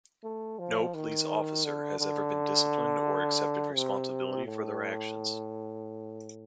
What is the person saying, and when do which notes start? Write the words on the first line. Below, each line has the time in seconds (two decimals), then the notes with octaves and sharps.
No police officer has ever been disciplined or accepted responsibility for their actions.
0.24 A3
0.59 F3
0.94 D#3
1.65 D3
1.99 D3
3.75 C3
4.46 A2